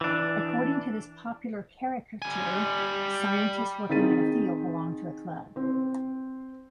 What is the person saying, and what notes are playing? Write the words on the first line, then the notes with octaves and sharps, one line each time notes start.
According to this popular caricature, scientists working in a field belong to a club.
E3 D4
G3 G#5
D#3 C4 G#4 A6 B6 D#7
C4 C5